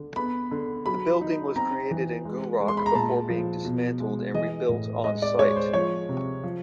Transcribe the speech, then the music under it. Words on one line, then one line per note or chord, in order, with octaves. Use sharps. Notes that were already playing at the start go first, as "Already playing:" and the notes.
The building was created in Gourock before being dismantled and re-built on site.
Already playing: D3
B3 B5
D3
F#3 B5
D#4
C4 A#5
E3
G#3
G#3
C6
B5
A#5
A#2 A5
F3
B2
G#3
E3 D#5
A2
G#3 D#5
D5
G#3 C#5
C5
F3 C#5
C3
F3